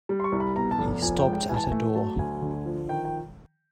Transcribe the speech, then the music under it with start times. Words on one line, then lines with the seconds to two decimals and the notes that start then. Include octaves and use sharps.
He stopped at a door.
0.09 G3
0.20 C6
0.24 C#6
0.32 C2
0.40 B5
0.55 B2 A#5
0.71 A5
0.79 F1
1.02 F3 G#5
1.18 G5
1.26 G#3
1.33 G5
1.49 E3 G#5
1.56 A5
1.64 G#5
1.72 A3
1.95 F#3 A5
2.19 D2 G#5
2.42 D3
2.66 F3
2.89 D#3 G5
3.05 G5